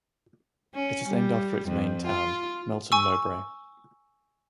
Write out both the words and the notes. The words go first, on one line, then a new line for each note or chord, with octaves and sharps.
It is named after its main town, Melton Mowbray.
C#4
G3
F2
F4
G#5 C#6 E6